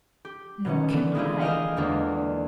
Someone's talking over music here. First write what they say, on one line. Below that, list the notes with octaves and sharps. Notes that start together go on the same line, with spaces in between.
"Nor can I."
G4
B2 D#3 C#4
D3 E3 A3
G#3 A#3 E4 F4 G4 G#4
D#5 F5 G5 G#5 F6
E2 D3 G#3 A#3 D4